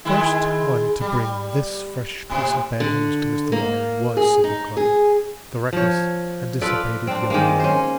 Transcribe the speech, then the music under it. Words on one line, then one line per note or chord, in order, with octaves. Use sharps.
The first one to bring this fresh piece of bad news to Mr. Lorry was Sydney Carton, the reckless and dissipated young lawyer.
D#3 G#3 E4
G3
A2 C3
D3
A#3
G#4
D#4
G#4
F3 C#5
F4 A4 B4 D5
C4 D4
D#3 G#3 A#3
C#4 C5